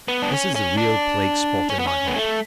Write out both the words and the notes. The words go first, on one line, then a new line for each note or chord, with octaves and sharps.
This is the real plague-spot in my heart.
B3
D4
C#4
C#4
D4
C#4
B3
C#4
B3
A3